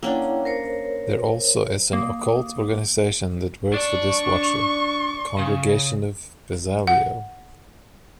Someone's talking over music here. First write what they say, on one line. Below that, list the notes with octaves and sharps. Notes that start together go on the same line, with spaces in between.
There also is an occult organization that works for this Watcher: Congregation of Bezaliel.
A#3 C#4 D4 E4 F#5 G5
A#4 C5 C#5
A#3 D#6
D4 D5 C#6
C#3
F#5